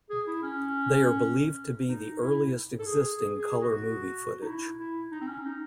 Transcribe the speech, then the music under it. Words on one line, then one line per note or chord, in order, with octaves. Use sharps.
They are believed to be the earliest existing color movie footage.
G#4
E4
C#4
D#4
E4
A4
G#4
G#4
G#4
F#4
D#4
E4
E4
D#4
C4
C#4
D#4